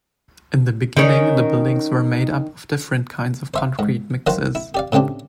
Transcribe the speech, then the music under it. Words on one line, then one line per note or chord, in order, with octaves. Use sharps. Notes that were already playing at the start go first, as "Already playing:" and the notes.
In the beginning the buildings were made up of different kinds of concrete mixes.
D#3 C#4
C5 E5 F5
G#2
D#3 F#3 F#4 C5 F5
E4
G4 D5 F5
A2 C#3 C4 D4 G4